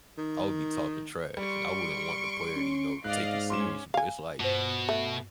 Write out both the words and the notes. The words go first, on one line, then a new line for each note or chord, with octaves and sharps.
I would be talking trash, and I wouldn't want the player to, you know, take it seriously, but it's, like,
D#3
G3 C6 C#6 D7
C#4
G#2 D5 D#5 F5 F#6
C#4 C6 D6 E7
F5 G#5
G2 B2 C5
A3